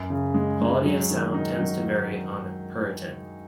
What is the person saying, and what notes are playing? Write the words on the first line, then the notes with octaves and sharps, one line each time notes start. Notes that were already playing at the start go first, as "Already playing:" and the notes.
Quality of sound tends to vary on Puritan.
Already playing: F#2
C#3
G#3
G#3
F#3
D#3
D#4
F#3